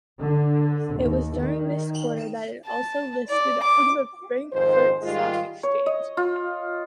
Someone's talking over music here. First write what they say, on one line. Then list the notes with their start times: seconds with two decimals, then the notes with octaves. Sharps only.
It was during this quarter that it also listed on the Frankfurt Stock Exchange.
0.22 D3
1.00 D#2
1.41 D#3
2.65 A5
3.30 D5
3.63 D6
4.53 F2 G#2 D#3 C5
5.02 G#2 D#3 G3 G#3 F4
5.63 C#5
5.86 D#5
6.17 F4